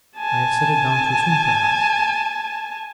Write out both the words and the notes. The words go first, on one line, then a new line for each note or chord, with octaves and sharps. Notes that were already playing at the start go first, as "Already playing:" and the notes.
I have set it down too soon, perhaps.
G#5 A5